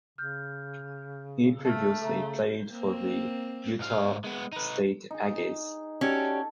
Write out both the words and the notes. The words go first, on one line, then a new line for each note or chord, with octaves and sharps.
He previously played for the Utah State Aggies.
C#3 F6 G6
A3 A5 E6 F6
C#3 A4 E5 A#5
A#3 C4
G#2 F5
G#3 B3
D#4 B4
D#4 G#4
C#4 F#4 G4 A4 D5